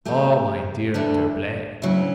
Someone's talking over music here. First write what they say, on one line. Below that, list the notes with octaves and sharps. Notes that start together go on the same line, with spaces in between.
"Oh! my dear D'Herblay!"
E2 B2 A3 G4
D2 D3 A3 D4
D2 C#3 F#3 C#4 E4